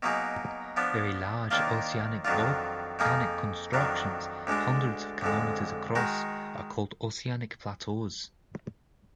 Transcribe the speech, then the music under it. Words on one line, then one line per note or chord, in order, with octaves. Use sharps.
Very large oceanic volcanic constructions, hundreds of kilometers across, are called oceanic plateaus.
B2 F#3 A#3 D#4 G#4
F3 B3 D4
D#2 D#3 A#3 D4 F4
F2 D#3 F#3 D4 F4
F2 F3 A#3 D#4 G#4
F2 D#3 F#3 D4
D2 D3 G#3 D4
F2 D3 G#3
D#3 G#3 D#4 F#4